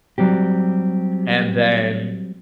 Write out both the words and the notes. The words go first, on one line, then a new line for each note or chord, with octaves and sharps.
and then
F#3 G3 C4 G4